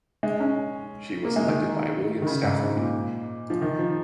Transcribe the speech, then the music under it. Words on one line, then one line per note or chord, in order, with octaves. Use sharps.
She was selected by William Stafford.
G#3
C#4
A#3
G#3
D#3
D#3
C#3
G#2
G#2
A#2
F3
D#3
F3